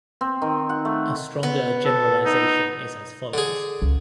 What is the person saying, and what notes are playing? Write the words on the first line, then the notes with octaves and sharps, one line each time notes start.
A stronger generalization is as follows.
C4
D#3
F#5
A3
B3
A4
D#4
D3 G#4
C#2